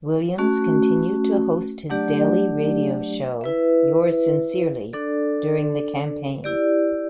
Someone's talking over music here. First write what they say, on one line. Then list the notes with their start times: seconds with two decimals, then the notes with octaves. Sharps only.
Williams continued to host his daily radio show, "Yours Sincerely" during the campaign.
0.38 A3 C#4 F#4
1.90 F#3 A3 D4 G4 D5
3.41 E4 B4 E5
4.93 D4 A4 D5
6.44 E4 G4 D5